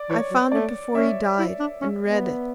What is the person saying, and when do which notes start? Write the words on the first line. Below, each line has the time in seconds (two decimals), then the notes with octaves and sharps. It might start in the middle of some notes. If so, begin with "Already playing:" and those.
I found it before he died--and read it.
Already playing: D5
0.09 E3 C#5
0.31 F#3
0.52 A3 D5
0.95 C#4 C#5 E5
1.39 E4
1.59 D4
1.81 C#4
2.03 B3